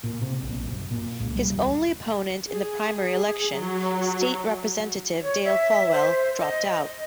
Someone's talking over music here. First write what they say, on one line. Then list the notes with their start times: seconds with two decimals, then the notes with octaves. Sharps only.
His only opponent in the primary election, State Representative Dale Folwell, dropped out.
0.04 A#2
0.21 C3
0.41 A#1
0.53 A#1
0.64 F#1
0.91 A#2
1.20 C#2
1.35 G3
1.50 D#1
2.48 G#4
3.54 F#3
5.22 C#5
5.44 E5
5.92 C5
6.39 D#5
6.71 D#5